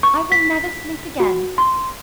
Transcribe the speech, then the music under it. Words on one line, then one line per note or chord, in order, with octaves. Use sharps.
I will never sleep again.
C#6
B6
F#4
C6